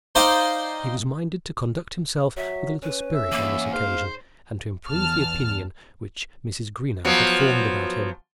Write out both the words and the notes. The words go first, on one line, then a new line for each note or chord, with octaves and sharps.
He was minded to conduct himself with a little spirit on this occasion, and to improve the opinion which Mrs. Greenow had formed about him.
D#4 C5 D5 D#5 F5 G5
F#3 E5
C#4 B4
E5
E2 A#3
G#2 C5 F5
E2 A5 F6
F3 F#3 B3